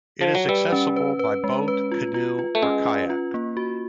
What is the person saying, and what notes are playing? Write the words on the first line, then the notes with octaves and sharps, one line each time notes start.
It is accessible by boat, canoe, or kayak.
F3
F#3
G3 B4
C#4
B4
B4
G#3
B4
F4
F4
F4
A3
G#3 C#4
C#4
F4
A#3
F#4